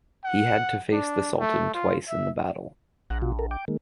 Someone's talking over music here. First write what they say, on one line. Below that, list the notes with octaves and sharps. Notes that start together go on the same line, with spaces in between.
He had to face the Sultan twice in the battle.
F#5
D4
A3
F4
E5
A#1 F#5 A#5
B2 F4 F#4
A4 A#4
G5 D6
D#3 G#3 A#3